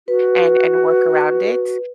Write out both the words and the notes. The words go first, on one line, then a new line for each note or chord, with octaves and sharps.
and and work around it.
F#4 B4